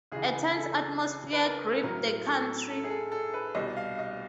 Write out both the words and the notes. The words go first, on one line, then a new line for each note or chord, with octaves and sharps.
A tense atmosphere gripped the country.
C#2 C#3 E3 G#4
G#4
A4
B4
A#4
A2 F#3 A#4
A4
A4
G#4
A4
A4
B4
C2 B2 G3 D#5
F5
D#5